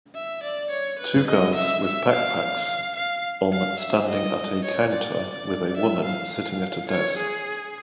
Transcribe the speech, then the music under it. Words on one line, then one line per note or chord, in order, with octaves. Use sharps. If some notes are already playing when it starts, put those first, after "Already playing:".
Two girls with backpacks on standing at a counter with a woman sitting at a desk.
E5
D5
C#5
B4
D#5
E5
E5
F5
F5
F5
E5
D#5
C#5
D5
E5
F5
C#5
G#4